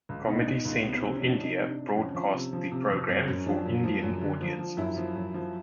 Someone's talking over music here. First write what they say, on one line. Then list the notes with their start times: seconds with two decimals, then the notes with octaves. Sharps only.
Comedy Central India broadcast the program for Indian audiences.
0.09 C#2
0.28 B2 D#4
0.39 D4
0.47 B2 D#4
0.65 C#2
0.83 C3 B3
1.01 C3 C4
1.14 C#4
1.21 F2
1.27 D4
1.40 C3 D#4
1.59 C3
1.68 D4
1.78 C3
1.97 F2 C#4
2.15 F3
2.34 C3
2.53 F3
2.72 C3
2.90 F2
3.09 F#2 C4
3.28 F#2 C#4
3.46 F3 D4
3.66 F#2
3.84 F3
4.03 F#2
4.21 D3
4.41 F3
4.59 F3
4.77 F#2 E4
4.97 F3
5.15 F#2
5.34 F3